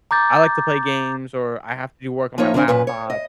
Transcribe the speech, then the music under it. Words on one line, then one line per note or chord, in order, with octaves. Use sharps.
I like to play games or I have to do work on my laptop
A#5 D6 G6 A6
F3 A#3 D#4 C#5 E5
D3 B3 C4 D4
F#2 A#2 B4
C#5
D#5